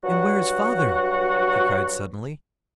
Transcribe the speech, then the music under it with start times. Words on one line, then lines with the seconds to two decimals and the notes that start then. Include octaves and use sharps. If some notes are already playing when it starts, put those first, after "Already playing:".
"And where is Father?" he cried suddenly.
0.04 G2 F#3 F#4 F#5